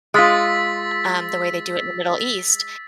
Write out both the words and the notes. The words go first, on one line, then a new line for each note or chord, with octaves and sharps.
Um, the way they do it in the Middle East,
G#3 F4 E6 A6 B6